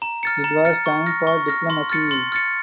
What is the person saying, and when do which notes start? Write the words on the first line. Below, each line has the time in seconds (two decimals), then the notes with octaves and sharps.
It was time for diplomacy.
0.02 A#5
0.23 F6 A6 C#7
0.44 A#5
0.65 F6 A6 C#7
0.86 C#6
1.06 F6 A#6
1.27 C#6
1.48 F6 A#6
1.70 C6
1.90 F6 A6 C#7
2.11 C6
2.32 F6 A6 C#7